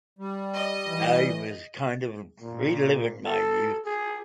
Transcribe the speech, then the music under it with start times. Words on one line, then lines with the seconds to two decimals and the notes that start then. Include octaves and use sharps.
I was kind of reliving my youth.
0.19 G3
0.54 D#5
0.88 E3
2.41 A#2
3.25 A4
3.85 G#4